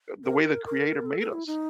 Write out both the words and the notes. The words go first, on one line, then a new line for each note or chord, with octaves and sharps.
the way the creator made us,
A#4
A#4
A4
A4
E4
D#4